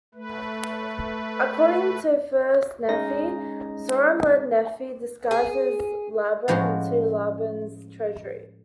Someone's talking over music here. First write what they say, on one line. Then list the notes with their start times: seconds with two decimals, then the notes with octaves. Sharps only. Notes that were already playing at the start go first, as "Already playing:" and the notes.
According to "First Nephi", Zoram led Nephi, disguised as Laban, into Laban's treasury.
0.15 A3 B4
2.88 G#3 C#4 D#4 A#6
5.31 G#4
6.48 A2 F3 G#3 C#4 F#4